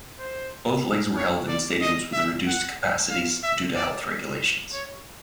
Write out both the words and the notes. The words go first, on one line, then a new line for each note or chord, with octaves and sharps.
Both legs were held in stadiums with reduced capacities due to health regulations.
C5
C#5
D5
D#5
E5
F#5
F5
E5
D5
C#5